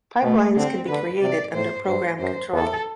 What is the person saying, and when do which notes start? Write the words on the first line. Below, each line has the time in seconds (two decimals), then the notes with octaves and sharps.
Pipelines can be created under program control.
0.23 B2 A3
0.56 D3 C4
0.89 D3 B4
1.22 C3 D5
1.54 A2 C5
1.87 G2 C5
2.20 F#2 C5
2.53 E2 A4